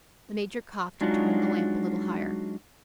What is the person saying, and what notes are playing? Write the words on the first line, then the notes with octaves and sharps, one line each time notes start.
The Major coughed and turned the lamp a little higher.
F#3 G#3 D4 D#4 F4 F#4